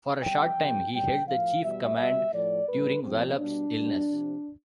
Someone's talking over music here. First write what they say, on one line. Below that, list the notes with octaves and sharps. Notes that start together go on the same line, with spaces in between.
For a short time, he held the chief command during Wallop's illness.
C3 G3 G5
C3 F3
B2 G3 G5
A2 F3 F5
B2 G3 E5
B2 G3 E5
A2 F3 D5
A2 G3 B4
C3 F3 C4
B2 G3 D4
B2 G3
C3 F3